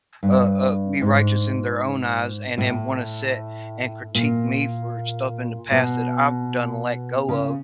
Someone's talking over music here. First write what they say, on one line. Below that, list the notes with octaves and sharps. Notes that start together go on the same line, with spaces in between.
uh uh, be righteous in their own eyes and then wanna sit and critique me for stuff in the past that I've done and let go of,
G2
G#2
A2
A#2
B2
C#3